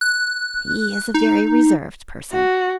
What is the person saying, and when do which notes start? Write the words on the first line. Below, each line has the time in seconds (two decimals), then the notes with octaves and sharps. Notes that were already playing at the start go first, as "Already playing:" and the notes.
He is a very reserved person.
0.01 F#6
1.14 D#4
2.33 F#4